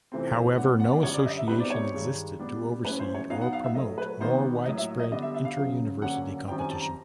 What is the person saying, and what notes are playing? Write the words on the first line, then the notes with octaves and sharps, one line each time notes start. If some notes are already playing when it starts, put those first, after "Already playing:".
However no association existed to oversee or promote more widespread inter-university competition.
F2 C3 E3 A3 C4
A2 F#3 B3 D4 F#5
F#5
D5
F#2 D3 G3 C#5
D5
D#5
E5
B2 G3 C4 D#4 B4
D5
C#5
G2 D#3 G#3
A#2 G3 B3 D4
A2 F#3 A#3 C#4 B4
C5
C#5
B2 F#3 B3 D#4 F5
F#5
F5
E5
A#2 F#3 A3 D#5
B4
D#3 G3 B3 D#4 C5
A2 F#3 A#3 D#5
E5
D#5
D3 G3 B3 D4 D#5
E5
E5
F5
F#2 C#3 F#3
D3 F#3 A#3 C#4 F#5
F#2 D#3 G3 C4 G5
G#5
A5
A#5